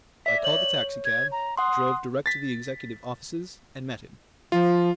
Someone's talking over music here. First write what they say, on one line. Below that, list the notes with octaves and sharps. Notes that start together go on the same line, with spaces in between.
I called a taxicab, drove direct to the executive offices and met him.
D5 E5 B6
C#5 F#7
G#6
A#5
F#5 C6 D#6
A6 B6
F3 F4